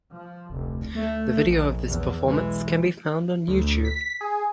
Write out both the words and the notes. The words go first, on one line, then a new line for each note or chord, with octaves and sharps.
The video of this performance can be found on YouTube.
F3
F1 D2
A3
A#1
E2
B1 E3 G#3
D2
B6
G#4